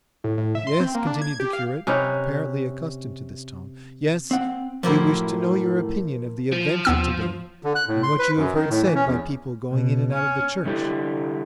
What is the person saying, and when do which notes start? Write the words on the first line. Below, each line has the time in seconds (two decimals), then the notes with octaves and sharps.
"Yes," continued the curate, apparently accustomed to this tone, "yes, we wish to know your opinion of the events of to-day and what you have heard said by people going in and out of the church."
0.24 A2
0.37 A2
0.55 E5
0.67 C6
0.80 C4
0.95 A#3
1.07 D4
1.22 G#6
1.40 G4
1.53 F5
1.87 C3 C#4 D#4 B4
4.31 C4 F#5
4.83 F#2 A2 F3 A#3 E4
6.52 F3
6.85 D#2 B3 E6
7.63 D3
7.75 F#6
7.88 A2
8.03 C6
8.19 B4
8.37 F#2
8.54 D#3
8.70 A2
8.83 E3
8.95 C#4
9.07 E2
9.70 B2
10.12 C#4
10.65 D3 G3 E4 G4